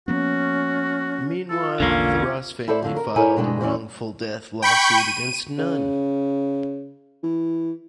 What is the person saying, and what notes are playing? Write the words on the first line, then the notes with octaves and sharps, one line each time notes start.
Meanwhile, the Ross family filed a wrongful-death lawsuit against Nunn.
F3 A#3 B3 C#4 F#4
F4 A4
A#1 E2 D3 A#3 C#4
E4 G4 A4 C5 D5
F2 D3 F#3
A#4
E4 G4 A4 A#4 C#5 G#5
B2 D3 E3 G#3 D4 G5
E2 E3 F#3 G3 C#4 D5
G5 B5 C#6 G6
D#7
C#3
E3